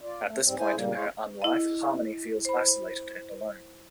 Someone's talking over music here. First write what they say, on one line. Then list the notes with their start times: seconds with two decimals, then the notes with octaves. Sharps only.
At this point in her un-life, Harmony feels isolated and alone.
0.01 F4 D5
0.24 A3
0.43 G#2 G3 C4
0.59 E4 G#4 C5 G#5
0.75 A#2 C#3 G3 A#3
0.94 G#3 E4 G#4 C5 C#5 F5
1.42 E4 D#5
2.45 C5 B5